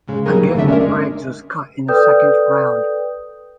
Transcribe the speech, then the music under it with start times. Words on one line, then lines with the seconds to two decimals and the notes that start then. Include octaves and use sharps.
Again Briggs was cut in the second round.
0.08 G#2 C#3 G#3
0.26 F#3 G3 D#4 G#4 A#4
0.42 A3 A#3
0.55 D3 G3 A3 D4 E5
0.68 C#4 D4 A#4
0.81 G#3
1.88 A4 B4 D5 G5 D#6 G6